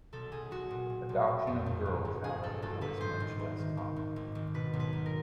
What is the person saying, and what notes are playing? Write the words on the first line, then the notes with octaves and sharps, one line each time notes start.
Adoption of girls, however, was much less common.
B1 A4
B1 G#4
B1 F#4
A#2
A#2
B1
A#2
F2
G1
G1
G1
G1 G#4
G1 A4
G1 A4
G1 B4
G#1 C5
G#1
G#1
D#3
D#3
G#1
G#1
G#1
B2 B4
B1
B4
B1
A#4